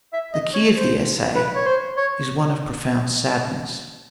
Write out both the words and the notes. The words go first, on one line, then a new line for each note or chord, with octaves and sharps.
The key of the essay is one of profound sadness.
E5
D#5
C#5
C5
B4
C#5
C5
C#5